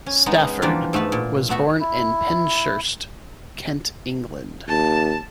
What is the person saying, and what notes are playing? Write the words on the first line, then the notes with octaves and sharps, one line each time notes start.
Stafford was born in Penshurst, Kent, England.
C#4
G#3 B3 D#4
E3 F3 G3 A#3 D4 F4
G#2 A3 B3 B4 A5
A#2
A3 B3 F#4 E5
E4
D#2 A5